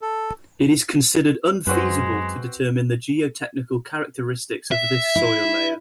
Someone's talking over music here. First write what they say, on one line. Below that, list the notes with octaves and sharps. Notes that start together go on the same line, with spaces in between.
It is considered unfeasible to determine the geotechnical characteristics of this soil layer.
A4
F#2 G#3 C4 F#4 B4
E5
E4